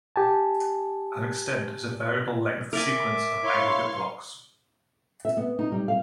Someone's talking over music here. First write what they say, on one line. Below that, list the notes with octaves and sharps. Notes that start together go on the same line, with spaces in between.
An extent is a variable-length sequence of Aggregate blocks.
G4 G#5 A5
A#4 D5 E5 G#5 D6
E4 C#5 F5 C6 C#6
E5
B3
D#4
G3
F5